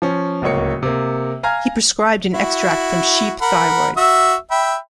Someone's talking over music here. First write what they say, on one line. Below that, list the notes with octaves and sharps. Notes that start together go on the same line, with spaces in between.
He prescribed an extract from sheep thyroid.
F3 C#4
D1 C#2 A#3 C#5 C#7
C3 A#3
F5 G#5 A#5 F6 G#6
E4 F#4
A#4 F#5 B5
F#4 E5 E6
E5 G5 B5